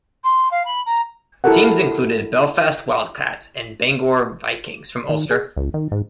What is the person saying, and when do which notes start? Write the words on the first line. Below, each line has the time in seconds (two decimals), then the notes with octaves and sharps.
Teams included Belfast Wildcats and Bangor Vikings from Ulster.
0.23 C6
0.51 F5
0.65 B5
0.85 A#5
1.44 E4 F#4 G4 A4 A#4 F#5
5.09 D#3
5.31 G#4
5.56 C#2
5.74 D#3
5.92 G#2